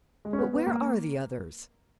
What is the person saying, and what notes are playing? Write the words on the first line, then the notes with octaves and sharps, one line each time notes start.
But where are the others?
G#3
C#4
B3
B3
A#3